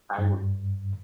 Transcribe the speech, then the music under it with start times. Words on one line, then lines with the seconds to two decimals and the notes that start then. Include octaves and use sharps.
I would
0.18 G2